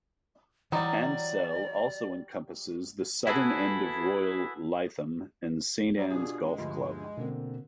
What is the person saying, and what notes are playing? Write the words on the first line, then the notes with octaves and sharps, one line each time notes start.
Ansdell also encompasses the southern end of Royal Lytham and Saint Annes Golf Club.
E3 F#3 G3 D#4 D5
E4 F#4 G#4 A4 B4
F#3 G3
B2 D4 F4 G4 G#4
G#3
D2 G2 F3
B2 D3 A#3 C4